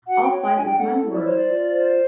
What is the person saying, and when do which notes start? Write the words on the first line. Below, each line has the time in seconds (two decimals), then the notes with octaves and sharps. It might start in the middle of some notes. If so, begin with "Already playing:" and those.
I'll fight with my words,
0.07 F#4 F#5
0.23 G5
0.31 C#5
0.38 G5
0.54 D4 G#5
0.66 G5
0.78 A4 F#5
1.01 E4
1.12 D5
1.24 C5 C#5
1.36 D5
1.48 F4
1.72 C5